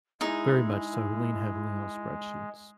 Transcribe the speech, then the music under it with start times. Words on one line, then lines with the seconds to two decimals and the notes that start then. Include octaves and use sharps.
very much so, we lean heavily on spreadsheets.
0.21 G#3 D#4 E4 G#4